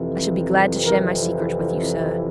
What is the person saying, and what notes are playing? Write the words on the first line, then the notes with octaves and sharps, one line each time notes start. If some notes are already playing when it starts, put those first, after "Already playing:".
I shall be glad to share my secret with you, sir.
Already playing: F2 C3 E3
A#4